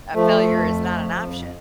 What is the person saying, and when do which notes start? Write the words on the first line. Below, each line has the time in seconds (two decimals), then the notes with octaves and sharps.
uh, failure is not an option.
0.14 F3 A3
0.47 F2
0.80 F3
1.14 F2